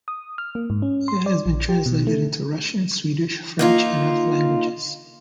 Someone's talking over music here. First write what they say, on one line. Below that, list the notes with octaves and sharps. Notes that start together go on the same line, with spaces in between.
It has been translated into Russian, Swedish, French, and other languages.
D#6
F6
A#3
G#2
C#4
C6
D5
A#1
G4
B2
A3
A#3 D#4 F4